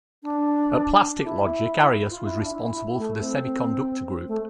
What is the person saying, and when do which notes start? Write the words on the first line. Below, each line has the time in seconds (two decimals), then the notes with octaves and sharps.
At Plastic Logic Arias was responsible for the semiconductor group.
0.23 D4
1.24 E4
2.10 F4
2.25 E4
2.38 D4
2.52 E4
2.97 A3
3.19 C4
4.28 A3